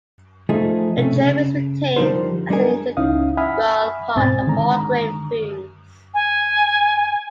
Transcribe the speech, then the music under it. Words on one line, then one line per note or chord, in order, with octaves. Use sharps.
The germ is retained as an integral part of whole-grain foods.
F3 A3 D#4 G#4
C3 A3 C#4
C#3
D3 F3 G3 D#4 A#4 C5
G3 D4 D#4 G#4 A#4 G#5
C#2 C#4 D#4 E4 F5 D#6
E5 F#5 G#5 B5 D#6 F6
C2 G#2 B2 C4 G#5 A6
D3 D#3 G#3 A#5
G#5